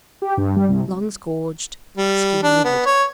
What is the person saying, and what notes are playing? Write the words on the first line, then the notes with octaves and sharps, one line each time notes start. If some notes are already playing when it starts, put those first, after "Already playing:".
Lungs gorged, skin livid.
G4
G2
G3
C2
G3
D4
B3
C#5